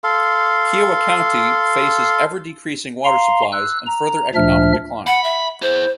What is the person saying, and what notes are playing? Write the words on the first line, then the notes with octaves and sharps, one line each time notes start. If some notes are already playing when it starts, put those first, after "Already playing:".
Kiowa County faces ever-decreasing water supplies and further economic decline.
A4 F5 C6
F5 A#5 C6
E6 F#6
A#5
D2 A#2 F3 D4 E5 F6
F#5 B5
E5
E4 G#4 C5